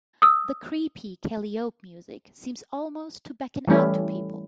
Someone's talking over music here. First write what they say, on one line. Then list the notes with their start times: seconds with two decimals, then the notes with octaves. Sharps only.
The creepy calliope music seems almost to beckon out to people.
0.22 D#6 E6
3.67 E3 G3 A3 C#4 E4